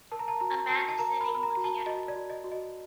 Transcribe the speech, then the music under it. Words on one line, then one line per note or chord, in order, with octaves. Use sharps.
A man is sitting looking at a book.
A#4 A5
A#5
A5
F#4 A#5
F#4 A5
A5
A#4 A#5
B5
A#4
B5
A#5
F#4
A5
F#4 D#5
D5
F#4
D#5
F#4
D#5